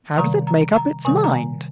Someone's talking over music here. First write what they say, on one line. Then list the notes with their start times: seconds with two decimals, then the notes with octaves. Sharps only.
"How does it make up its mind?"
0.18 C3 D#3 G3 A#5
0.47 A#5
0.76 A#5
1.05 C3 D#3 G3 G#5
1.24 A#5
1.34 G#5